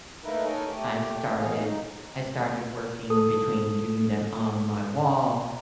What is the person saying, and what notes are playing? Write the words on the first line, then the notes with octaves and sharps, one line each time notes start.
I've started I started working between doing them on my wall
A3 A#3 D#4 E4 A#4 B4
D#4 A4 A#4 C#5 G#5
A3 G4
B2 D#3 E3 G#4 C#5 F5
D#4
A4 D#6